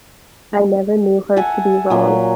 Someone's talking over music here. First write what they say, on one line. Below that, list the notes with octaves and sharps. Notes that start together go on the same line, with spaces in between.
I never knew her to be wrong.
A4 E5 F#5 G#5
A#2 F#3